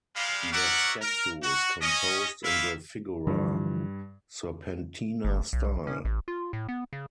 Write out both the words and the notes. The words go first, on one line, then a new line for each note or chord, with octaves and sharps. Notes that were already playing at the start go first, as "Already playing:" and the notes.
The statue is composed in the figura serpentina style.
G3 G#3 F5
F#4 A#4 C#5 D5 E5 F#5
A#4
F#4
C#4 D#5
A#3 B3 E4 F4 E5 F5
G2 D3 E3 F3
G1
B1
C#4
A1
F4
A2
B3
C#3